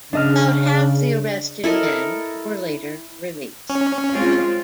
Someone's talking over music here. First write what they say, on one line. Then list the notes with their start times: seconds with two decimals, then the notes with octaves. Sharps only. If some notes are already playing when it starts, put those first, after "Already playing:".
About half the arrested men were later released.
0.13 C#3 D4 D#5 F6
1.64 E4 A4 A#4 D#5
3.70 C#4
4.12 G#3 C4 F4